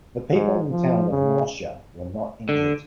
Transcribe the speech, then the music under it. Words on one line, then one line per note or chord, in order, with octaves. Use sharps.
The people in the town of Norcia were not injured.
G#2
F3
C#3
D3